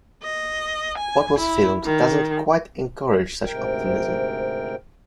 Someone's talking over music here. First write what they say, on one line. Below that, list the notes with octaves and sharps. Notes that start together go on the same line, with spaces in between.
What was filmed doesn't quite encourage such optimism.
D#5
G#5
E4
D#3
D2 G#2 C3 A#4 G5